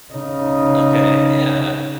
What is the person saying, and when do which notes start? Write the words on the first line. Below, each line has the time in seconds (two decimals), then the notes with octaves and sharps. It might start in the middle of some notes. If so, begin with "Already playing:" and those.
Okay, yeah.
0.13 C#3 D#4